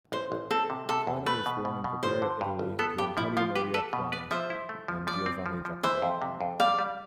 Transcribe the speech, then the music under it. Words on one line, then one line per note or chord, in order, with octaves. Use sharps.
Plana was born in Voghera, Italy to Antonio Maria Plana and Giovanna Giacoboni.
A1 C5
A1
C4 A4
C3
C3 A4
E2
A3 B4
B2
B2
B2
G1 C5
D3
G2
G1
B3 A4
G2 G4
F3 E4
F3 F4
G4 B4
A4 B4
B2
B4 D5
F3 C5 E5
E4
A3
F3
F3 D5
C4
F3
F3
E3 C5 E5
F2
C3
F2
G3 D5 F5
G3